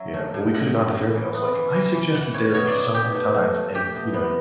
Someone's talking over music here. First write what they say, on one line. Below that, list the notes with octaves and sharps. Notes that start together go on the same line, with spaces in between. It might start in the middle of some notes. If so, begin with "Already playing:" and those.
"Yeah. Well, we could've gone to therapy." I was like, "I suggested therapy so many times and," you know, "y
Already playing: F#3 E5
A3
A2
A2 F#5
F#3
A2
E3
B3
E3
E3
E3
E3 F#5
A2 C#5
B2 C#5
D5
B2
B2 G4
A3
A3
A3
A3 G4
B2
B3